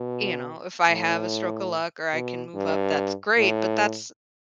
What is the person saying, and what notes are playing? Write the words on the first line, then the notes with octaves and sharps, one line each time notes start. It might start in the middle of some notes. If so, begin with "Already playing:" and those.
eh you know, if I have a stroke of luck or I can move up, that's great, but that's uh,
Already playing: B2
A2
B2
G2
A2